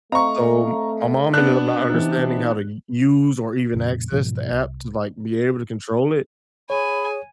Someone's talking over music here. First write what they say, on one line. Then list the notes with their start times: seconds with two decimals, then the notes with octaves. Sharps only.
So my mom ended up not understanding how to u use or even access the app to like be able to control it
0.12 A3 C4 D#5 F5 A#5 C#6
1.34 B3 D4 F#6
1.90 C3 E3 D#4
3.74 F2 A#2 C#3 G3
4.12 G#2 B2 E3 F3
4.51 C2
6.70 G#4 C#5 G#5 B5